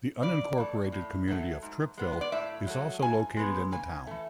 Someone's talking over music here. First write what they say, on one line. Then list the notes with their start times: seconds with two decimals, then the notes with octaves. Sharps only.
The unincorporated community of Trippville is also located in the town.
0.22 C#3 D5
0.57 E3 A3
0.92 A2
1.28 F#3 A3
1.62 G#2
1.98 G#3 B3
2.21 D5
2.32 A2 E5
2.67 F#3 A3
3.02 G#2 G#5
3.37 G#3 B3
3.72 C#3 G#5
4.07 E3 A3